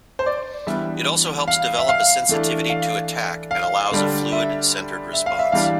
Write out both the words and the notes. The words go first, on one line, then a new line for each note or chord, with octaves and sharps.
It also helps develop a sensitivity to attack and allows a fluid, centred response.
C5
D5
E3 G3 B3 D4 E5
F5
E5
F5
E3 A3 D4
F5
F5
D3 G3 D4
E5
E5
F5
E5
E3 G3 D4 F5